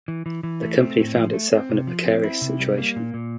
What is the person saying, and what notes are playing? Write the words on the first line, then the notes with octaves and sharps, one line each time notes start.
The company found itself in a precarious situation.
E3
E3
E3
A3
C4
A2
F3
A3
C4
C3
F3
C4
E4
C3
G3
A#3
A#2
A#2